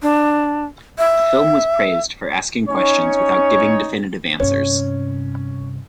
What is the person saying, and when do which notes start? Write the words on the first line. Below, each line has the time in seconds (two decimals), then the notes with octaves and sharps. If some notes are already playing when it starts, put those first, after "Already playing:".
The film was praised for asking questions without giving definitive answers.
0.02 D4
0.98 E5
2.70 C#4 D#4 C#5
4.40 G2 C3 C#4 C#5